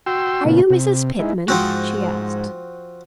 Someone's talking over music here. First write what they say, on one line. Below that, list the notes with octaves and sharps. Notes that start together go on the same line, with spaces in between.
"Are you Mrs. Pitman?" she asked.
F#4 G5 C6 E6
A#2 C#3 A3 B3 F4
C3
G#3 D#4 E4
G#2 F3 C4 F#4